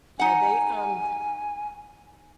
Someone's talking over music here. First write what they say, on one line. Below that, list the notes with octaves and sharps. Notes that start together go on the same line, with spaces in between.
Yeah, they, um
D#4 F#5 G#5